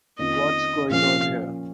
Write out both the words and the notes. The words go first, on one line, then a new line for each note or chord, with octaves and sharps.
What's going on here?.
F2 D#3 A#3 C#4 F4 D#5
A#2 F3 A#3 C#4 F5